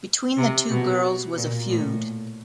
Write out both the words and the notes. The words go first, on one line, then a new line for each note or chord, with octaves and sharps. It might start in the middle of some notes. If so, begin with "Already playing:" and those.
Between the two girls was a feud.
C3
B2
A#2
A2